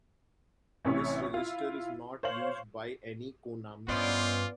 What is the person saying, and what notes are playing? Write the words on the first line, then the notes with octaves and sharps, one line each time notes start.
This register is not used by any Konami game.
A1 C3 C#4 E4 C#5 C#6
E4 F4
C5 C#5 F5 F#7
G2 B3 C#4 F4 C5 D5 D#5